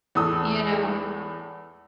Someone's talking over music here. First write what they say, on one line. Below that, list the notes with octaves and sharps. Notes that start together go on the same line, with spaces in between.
You know?
E2 A2 A4 D#6 E6